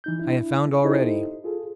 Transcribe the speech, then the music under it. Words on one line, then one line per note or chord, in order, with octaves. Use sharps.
"I have found already."
E3 D#4 G6
D4 E4
D#4 E4 G4 A4 C5 D#5
F4 G#4 A4